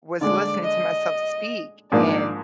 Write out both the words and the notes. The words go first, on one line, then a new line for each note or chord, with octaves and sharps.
was listening to myself speak and
D3 G#3 D4 D5
D#5
G#2 F3 A#3 D4 D5